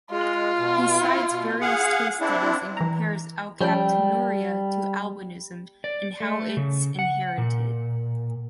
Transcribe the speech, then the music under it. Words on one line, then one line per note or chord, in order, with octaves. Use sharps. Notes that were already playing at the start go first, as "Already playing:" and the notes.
He cites various case studies and compares alkaptonuria to albinism in how it's inherited.
G#3 F4
B2
E4
B2
G#4 F5 F#5
C4 D4 E4
E3 A#5
F3 G3 C#4 A4 G5 G6
D5
A3
C#3
F#5
A#2